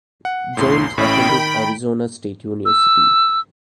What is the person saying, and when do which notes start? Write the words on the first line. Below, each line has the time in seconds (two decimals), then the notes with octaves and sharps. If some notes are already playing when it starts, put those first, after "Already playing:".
Jones attended Arizona State University.
0.25 F#5
0.57 B1 E2 A2 C6
0.98 A1 A2 C#4 G5 B5
1.29 D#3
2.65 E6